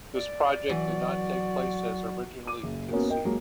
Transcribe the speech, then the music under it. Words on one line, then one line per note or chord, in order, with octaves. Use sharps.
This project did not take place as originally conceived.
D5
E3 F#3 F#4
D6 D#7
F#1
A#3 B3 C#4 F#4 A#4
A#4 D#5 G5
F#3 G#3 A#3